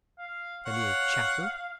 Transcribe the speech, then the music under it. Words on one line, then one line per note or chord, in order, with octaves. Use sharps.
"A mere chattel."
F5
C#5 F5 F#5